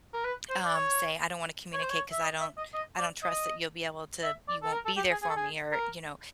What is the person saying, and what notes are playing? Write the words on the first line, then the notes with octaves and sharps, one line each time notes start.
um, say, "I don't wanna communicate 'cause I don't I don't trust that you'll be able to you won't be there for me," or you know,
A#4
B4
C5
D5
C#5
C#5
C5
C#5
E5
D#5
E5
D#5
D#5
D5
D#5
E5
D5
A4
A#4
A4
G4
G#4
G#4
A4
G#4
A#4